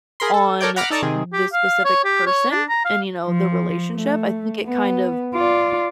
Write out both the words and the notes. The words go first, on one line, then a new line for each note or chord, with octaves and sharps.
on the specific person and, you know, the relationship, I think it kind of
G#4 A#4 B5 C6
A4
A4 A#4 C#5 D5 G5
F#5 A#5 B5 D6 F6
D#4 A4 D5 A5 A#5 C#6
C3 D#3 C4 G#4
G4
F5
C#5
G4
C#5
D4
A#5
F5
F3
A3
B3
F4 D5